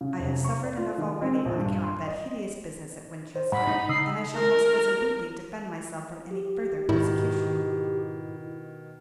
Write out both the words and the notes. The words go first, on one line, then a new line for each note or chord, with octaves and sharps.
I have suffered enough already on account of that hideous business at Winchester, and I shall most resolutely defend myself from any further persecution.
C#3
F1
C#6
D5
F4
D#3
C4
A#1
G2
C6
D#5
C5
G#2 F#5 B5
D#4
C#3 D#6 E6 C7
A#4
G4
G#2 B2 D#3 E4